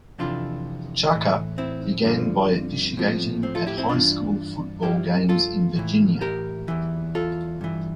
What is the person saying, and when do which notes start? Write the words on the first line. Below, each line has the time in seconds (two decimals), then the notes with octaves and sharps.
Chaka began by officiating at high school football games in Virginia.
0.19 F2 C3 E3 D4 F4
1.11 A2 E3
1.58 C4 E4
2.05 G2 D3 F3
2.97 A2 F3
3.43 C4
3.55 F4 A4
3.66 E4 G4
3.78 C4 E4
3.89 G2 E3 D4 F4
4.83 G2 F3 E4 G4
5.29 F4 A4
5.76 A2 E3
6.21 G4 A#4
6.68 E2 E3
7.15 F4 A4
7.61 G2 E3